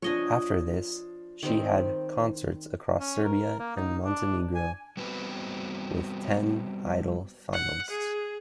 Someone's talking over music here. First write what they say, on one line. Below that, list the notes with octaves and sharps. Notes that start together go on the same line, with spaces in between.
After this, she had concerts across Serbia and Montenegro with ten "Idol" finalists.
F3 D4 C#5 D#5 G#5
D#3 G3 C4
C#4
A#4
A#3
D#4
D4
G#5
G3 B3 C4 F#4 B4
F#5
G#4